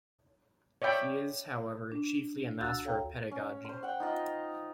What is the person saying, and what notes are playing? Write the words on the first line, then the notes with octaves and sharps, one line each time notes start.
He is, however, chiefly a master of pedagogy.
C#5 D5 E5 G5 B5
D4
D2 F#4 E6 F#6 A6
A4 C#5 F5 G5 A#5
C#4
C5 C6
F#5 G5
D#4 F4 D#5